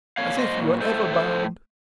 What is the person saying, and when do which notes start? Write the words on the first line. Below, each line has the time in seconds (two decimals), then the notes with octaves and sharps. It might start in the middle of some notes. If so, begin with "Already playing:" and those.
As if you were ever bound!
0.17 A#2 F#3 A#3 C#5 F5
0.39 C5 D#5
0.81 A2 A3 A4 C5
1.13 A4 C5